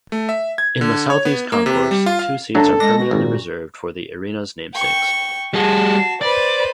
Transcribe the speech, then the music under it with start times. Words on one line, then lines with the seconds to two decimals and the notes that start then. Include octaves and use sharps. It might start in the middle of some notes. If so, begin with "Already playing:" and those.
In the southeast concourse, two seats are permanently reserved for the arena's namesakes.
0.12 A3
0.29 E5
0.58 G#6
0.81 D3
1.10 C#5
1.25 B3
1.52 A#3
1.66 C3
1.91 G3
2.06 F4
2.19 F5
2.55 F#2 F#3 A3 D4 A4
2.80 G#3 D4 A#6
2.99 F#4
3.11 G#1 A#2
4.73 G5 C#6
5.54 G3 F#4 G#4 A5
6.21 B4 C5 D5